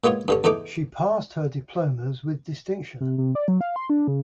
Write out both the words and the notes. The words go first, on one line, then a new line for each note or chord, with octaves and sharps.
She passed her diplomas with distinction.
A#2 G#3 B3 F4 C#5
G2 D3 C#4
E2 A2 A3 D#4 D6
C3
C3
D5
F#3
F5
C6
D4
C#3